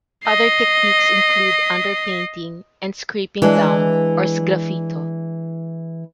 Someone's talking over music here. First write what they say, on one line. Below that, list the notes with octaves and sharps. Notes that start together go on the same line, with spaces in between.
Other techniques include "underpainting" and "scraping down" or sgraffito.
D#5 C7
E3 G#3 D4